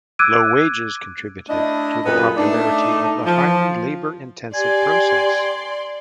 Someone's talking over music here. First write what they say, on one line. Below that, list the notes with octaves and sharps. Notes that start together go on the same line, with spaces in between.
Low wages contributed to the popularity of the highly labour-intensive process.
D6 E6 F#6 G#6 D7 D#7
A3 D4 E4 D#5
F#2 A#2 B3 G#4 A4 B4
A3 D4 D#4
F3
G4 D5 G#5 C6